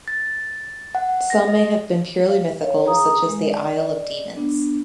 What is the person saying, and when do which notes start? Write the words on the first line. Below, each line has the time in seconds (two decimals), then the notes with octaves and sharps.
Some may have been purely mythical, such as the Isle of Demons.
0.08 A6
0.95 F#5
1.30 A#6
1.48 D#5
2.29 F5
2.63 C#5 F5
2.86 G#4 A#5 D#6
3.28 G#3
3.42 D5 D#5
4.36 B3 D4